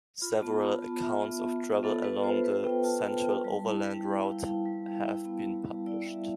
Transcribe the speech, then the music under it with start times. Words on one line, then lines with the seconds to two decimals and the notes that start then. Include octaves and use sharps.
Several accounts of travel along the Central Overland Route have been published.
0.21 F4 B5
0.42 B3 A5
0.62 F4 B5
0.82 B3 A5
1.02 F4 E5
1.22 B3
1.43 B3
1.63 F4
1.83 B3 A4
2.03 B3 B4
2.24 F4 C5
2.44 B3 B4
2.64 B3 G5
2.84 F4 A5
3.04 F4 A5
3.24 F4 G5
3.44 G3 A5
3.65 E4
3.84 G3 G5
4.05 G3
4.24 E4 F5
4.45 E4
4.66 G3
4.86 G3
5.06 E4
5.25 B3
5.46 G3
5.66 G3
5.86 E4 D5
6.06 G3 E5